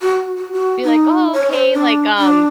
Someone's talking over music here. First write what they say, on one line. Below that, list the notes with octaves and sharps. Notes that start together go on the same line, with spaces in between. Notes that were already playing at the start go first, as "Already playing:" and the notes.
be like, "Oh, okay," like, um
F#4
F#4
F#4
D#4
C#5
C5
D4
D4